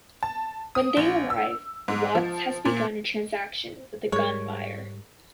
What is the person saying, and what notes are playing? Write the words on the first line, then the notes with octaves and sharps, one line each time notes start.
When they arrive, Watts has begun a transaction with a gun buyer.
A5
D#6
A#1
E6
G#2
F3
A#2
G#2 G3 G#3 G#4 A#4 C#5